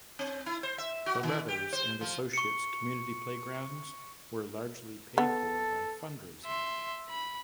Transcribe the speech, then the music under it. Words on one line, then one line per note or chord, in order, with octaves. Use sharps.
The Leathers and Associates community playgrounds were largely paid for by fundraising.
C4
E4
C5
E5
F#4
D#3
G4
C5
F3
C#6 C#7
B3 A4
E5 C6
B5